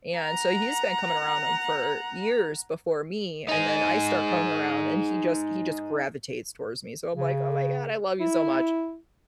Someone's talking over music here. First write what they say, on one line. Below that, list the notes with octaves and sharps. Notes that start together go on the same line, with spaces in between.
and so he's been coming around him for years before me, and then I start coming around and he just he just gravitates towards me. So I'm like, "Oh my god, I love you so much."
F#5 A#5
D#4 G#4
C#3
E4